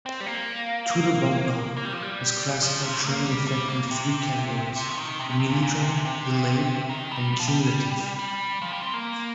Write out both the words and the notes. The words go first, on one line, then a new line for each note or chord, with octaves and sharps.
Tudor Bompa has classified training effect into three categories: immediate training, delayed, and cumulative.
C4
G3
A#3
A#3
A#3
G3
F3
G3
F3
C3
A#3
G3
G3
A#3
C3
C3
F3
D#3
C3
C3
C3
A#2
A#2
C3
C3
D#3
G3
G3
F3
G3
G3
F3
G3
C4
A#3